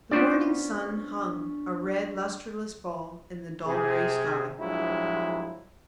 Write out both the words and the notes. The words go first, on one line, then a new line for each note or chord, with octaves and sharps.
The morning sun hung, a red, lustreless ball, in the dull grey sky.
B3 C#4 D4 F4 C5 D5 C#6
C3 G#4
A#1 G2 F3 F#3 G#3 E4